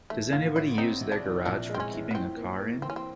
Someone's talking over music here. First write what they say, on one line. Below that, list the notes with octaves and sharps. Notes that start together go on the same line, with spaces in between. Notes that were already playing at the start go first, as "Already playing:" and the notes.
Does anybody use their garage for keeping a car in?
E3 A3
A1 A#3
A1 E4
C4 D#4
C3
D4
E3
A#1 D4
G#3 C4
C#4
E3
B3
A2 C4
A#3
A#3
E3 C4
C#4
C4